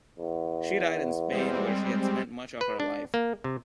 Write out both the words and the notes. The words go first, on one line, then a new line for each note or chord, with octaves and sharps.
She died in Spain where she had spent much of her life.
E2
G3 G#3 C4
B4
D4
A#3
C3